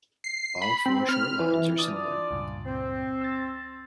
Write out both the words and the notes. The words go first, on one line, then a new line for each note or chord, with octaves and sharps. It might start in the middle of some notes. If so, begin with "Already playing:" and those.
All four short lines are similar.
C7
B5
C4
F6
E3
D4 F4 D5 D#6
C#2 G2 A#2
C4
E6 A6